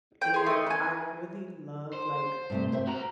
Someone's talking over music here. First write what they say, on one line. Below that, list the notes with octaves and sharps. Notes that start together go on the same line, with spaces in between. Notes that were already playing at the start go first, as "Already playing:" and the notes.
and I really love, like,
G5
G#4 C6
A3 D#5
B4 G#5
C5
G2 C3 A3
C4 C5 E5
B3 F#4 A#5